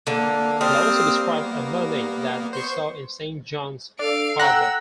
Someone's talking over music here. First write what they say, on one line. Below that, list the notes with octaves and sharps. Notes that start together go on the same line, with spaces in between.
He also described a mermaid that he saw in Saint John's harbour.
D3 A#3
G3 C4 D#6 F6
B3
C5 C6 C#6
D4 A4 F5 D7
F#5 G5 A#5 E6 F#6 A#6